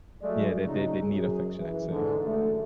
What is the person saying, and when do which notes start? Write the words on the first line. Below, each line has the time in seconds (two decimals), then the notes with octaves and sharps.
Yeah, they they they need affection, I'd say.
0.21 F#3 G#3 A3 D5
0.64 C#3 F#3 D#4
1.01 F#2 G#4
1.58 E3
1.89 G#2 D3
2.24 A1 F#2 D3 A3